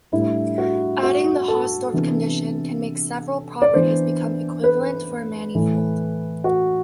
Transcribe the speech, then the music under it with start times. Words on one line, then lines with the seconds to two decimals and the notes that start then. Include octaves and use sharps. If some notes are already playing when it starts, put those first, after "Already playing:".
Adding the Hausdorff condition can make several properties become equivalent for a manifold.
0.12 A2 G3 D4 E4
0.58 F#4
1.03 F#4
1.48 A4
1.93 C3 E3 B3 D4
3.62 D5
3.74 E3 B3 D4 C5
4.64 B4
5.54 A2 E3 A3
6.44 F#4